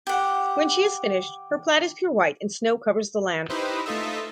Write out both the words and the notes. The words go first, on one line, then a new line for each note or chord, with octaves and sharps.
When she is finished, her plaid is pure white and snow covers the land.
G4 F#5
D#4 E4 G4 B4 C5 D#5
A3 D#4 F4 A4 D#5 E5